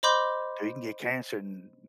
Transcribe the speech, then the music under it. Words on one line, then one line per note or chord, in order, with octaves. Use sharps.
So you can get cancer n
C5 D#5 B5 C6 D6 G6